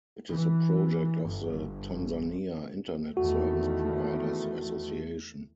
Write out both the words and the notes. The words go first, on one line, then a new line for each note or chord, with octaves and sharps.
It is a project of the Tanzania Internet Service Providers Association.
E3
G1
E2 D#3 A3 F#4